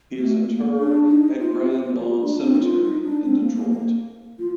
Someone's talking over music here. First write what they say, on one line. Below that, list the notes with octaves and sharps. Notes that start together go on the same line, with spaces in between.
He is interred at Grand Lawn Cemetery in Detroit.
A3
A#3
D4
D#4
F4
G4
F4
D4
C4
D#4
F4
D#4
D4
C4
A#3
A#3
A#3
F4